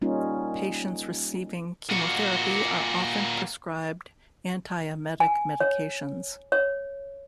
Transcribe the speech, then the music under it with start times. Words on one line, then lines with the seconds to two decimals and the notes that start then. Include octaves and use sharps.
Patients receiving chemotherapy are often prescribed antiemetic medications.
0.01 G3 A#3 C#4 D#4 F4
1.90 A#2 F#4
5.20 G#5
5.60 C#5
6.52 C#5